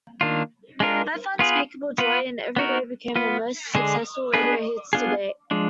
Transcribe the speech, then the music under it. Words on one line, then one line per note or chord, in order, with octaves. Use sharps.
Both "Unspeakable Joy" and "Everyday" became her most successful radio hits to date.
D#3 A#3 D4 F4
G#3 D4 F4 A#4
B3 F4 G#4 B4
B3 F4 B4
B3 D#4 F#4 A#4
B3 F4 B4
D3 G#3 D4 G#4
B3 D4 G#4 B4
B3 D4 F4 G#4
F3 G#3 D4